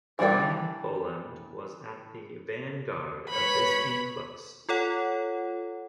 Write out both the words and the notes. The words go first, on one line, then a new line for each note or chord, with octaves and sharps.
Brian Bolland was at the vanguard of this influx.
E3 G3 D4 D5 G5
B4 C#5 B5
F4 A4 C#5 F#5